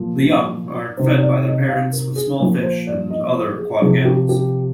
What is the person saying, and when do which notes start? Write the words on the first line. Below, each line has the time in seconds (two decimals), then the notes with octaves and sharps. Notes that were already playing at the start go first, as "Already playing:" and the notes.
The young are fed by their parents with small fish and other aquatic animals.
Already playing: A#2 F3
0.97 C3 D#3 C5
1.21 D5
1.45 D#5
1.68 F5
1.93 A#4
2.16 G#4
2.39 A#2 F3 A#4
2.63 C5
2.87 D5
3.10 D#5
3.34 C5
3.58 G#4
3.82 C3 F3 G#4
4.05 G4
4.29 G4